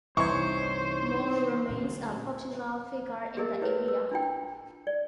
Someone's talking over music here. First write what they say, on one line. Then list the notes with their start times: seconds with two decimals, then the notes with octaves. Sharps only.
Mao remains a popular figure in the area.
0.17 C2 G2 C3 E3 D#4 C5 C#5 C#6
1.69 D2 A#2 C#4
3.37 G4 G#4 A#4 D#5
3.61 E4 B4 C#5 E5
3.86 B4 E6
4.11 D4 E4 F4 G5
4.87 D5